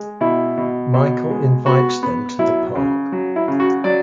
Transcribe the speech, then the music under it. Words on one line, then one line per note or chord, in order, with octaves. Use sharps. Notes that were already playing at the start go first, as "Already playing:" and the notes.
Michael invites them to the park.
Already playing: G#3
B2 E4
B2
B2
G#3
B3 F#4
B3
F#3 E4
C#3
F#3
E4
C#3
F#4
F#3 D5